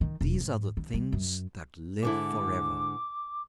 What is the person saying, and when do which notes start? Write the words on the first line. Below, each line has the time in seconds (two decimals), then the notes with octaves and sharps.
These are the things that live for ever.
0.01 D#3
0.21 E1
0.40 G#2
0.77 D#3
0.94 G3
1.12 F#2
2.03 G#2 D3 E4 D6